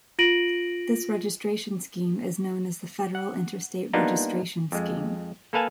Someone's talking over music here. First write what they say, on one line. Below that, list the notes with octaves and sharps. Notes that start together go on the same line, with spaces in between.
This registration scheme is known as the Federal Interstate Registration Scheme.
F4 A#6 D7 D#7 F#7
F#5
G3 A#3 B3 D4 D#4 F4
F2 G#3
A#3 A4 B4 F5 G#5 A5